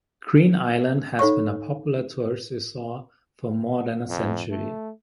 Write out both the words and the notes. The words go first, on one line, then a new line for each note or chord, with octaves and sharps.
Green Island has been a popular tourist resort for more than a century.
D#4 A4 C#5 C#6
F2
A3